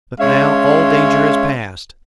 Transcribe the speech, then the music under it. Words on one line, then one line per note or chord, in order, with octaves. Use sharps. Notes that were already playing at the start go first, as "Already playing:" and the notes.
But now all danger is past.
G#3 C#4 C#5 E5 F5 C6